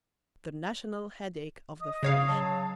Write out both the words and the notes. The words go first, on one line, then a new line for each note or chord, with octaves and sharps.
The national headache of the French.
D#5 D#6
C#3 C#5 F5
F#3 A5